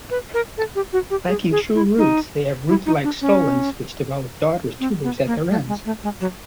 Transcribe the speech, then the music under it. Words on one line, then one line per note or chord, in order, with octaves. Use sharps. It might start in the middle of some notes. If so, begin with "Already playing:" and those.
Lacking true roots, they have root-like stolons which develop "daughter" tubers at their ends.
B4
A#4
A4
G4
F#4
G4
G#4
G#4
E4
D#4
E4
D#4
D4
C#4
C4
B3
A#3
A3
G#3
A3
G#3
F#3